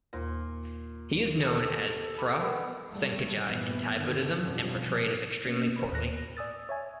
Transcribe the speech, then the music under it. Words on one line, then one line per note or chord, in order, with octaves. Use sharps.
He is known as Phra Sangkajai in Thai Buddhism and portrayed as extremely portly.
D#2 A#2 C5 A#6
G3 A4
A5 B5 D6
G3 B3 A#4 G5 E6
G3 A3
G2 A#2 E3 B3
D3 D#3
F2 B2 D3 F3 G3 C#4
A#3 C#4
C5 B5
D#2 A2 F#6 A#6
D5 G#5 D#6 E6 A6
C#5 E5 G#5